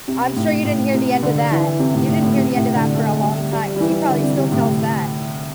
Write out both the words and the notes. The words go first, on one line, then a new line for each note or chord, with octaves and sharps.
I'm sure you didn't hear the end of that. You didn't hear the end of that for a long time. She probably still tells that.
C3
A2
A2
C3
D3
E3
C3
A2
A2
A2
C3
A2
D3
A3
G3
G3
G3
E3
D3
C3
C3
A2